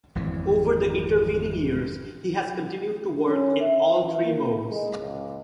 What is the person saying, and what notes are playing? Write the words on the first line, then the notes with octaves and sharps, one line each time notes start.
Over the intervening years, he has continued to work in all three modes.
G#1 F2 E3
C#4
E5
E3
A#3
G#3
C#2